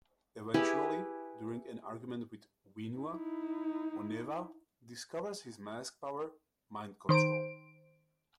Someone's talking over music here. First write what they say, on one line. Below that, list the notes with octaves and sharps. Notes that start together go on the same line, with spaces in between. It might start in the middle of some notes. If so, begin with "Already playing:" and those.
Eventually, during an argument with Whenua, Onewa discovers his mask power, mind-control.
E4 G4 G#4 B4
D#4 E4
D#3 C5 D7